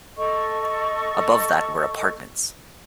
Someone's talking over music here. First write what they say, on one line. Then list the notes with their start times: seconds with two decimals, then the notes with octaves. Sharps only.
Above that were apartments.
0.17 A4 D#5 C#6